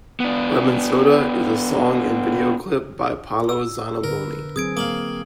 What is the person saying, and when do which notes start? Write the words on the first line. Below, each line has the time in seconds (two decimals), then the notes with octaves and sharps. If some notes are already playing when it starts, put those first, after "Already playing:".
Lemonsoda is a song and a video clip by Paolo Zanaboni.
0.20 B3 D4
3.49 E6
4.04 D3 A#4 B4
4.56 F#3 C4 G#4 D#6 G#6 D7
4.77 A#3 F5 D#6 F#7